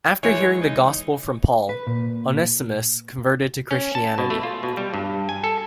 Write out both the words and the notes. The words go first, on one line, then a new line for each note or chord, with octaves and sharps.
After hearing the Gospel from Paul, Onesimus converted to Christianity.
E3 G#3 C#5
D#4
B4
A#2
C#4
A5
B2
A3
F4
B2
G3
G2
G#5
A4